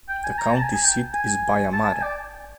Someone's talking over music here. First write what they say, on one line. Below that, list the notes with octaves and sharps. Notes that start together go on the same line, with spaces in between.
The county seat is Baia Mare.
G5
G#5
A#5
A5
G#5
G#5
G5
G#5
A5
A5
G#5
D5